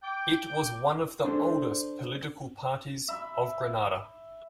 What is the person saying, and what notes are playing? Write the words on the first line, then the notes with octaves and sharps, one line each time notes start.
It was one of the oldest political parties of Grenada.
G5 D6
D4 A4 C5
E5 B5